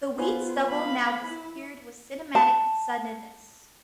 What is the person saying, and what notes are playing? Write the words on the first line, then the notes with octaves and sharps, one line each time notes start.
The wheat stubble now disappeared with cinematic suddenness.
B3 F4 C5 G#5
F5 B5
E4
A5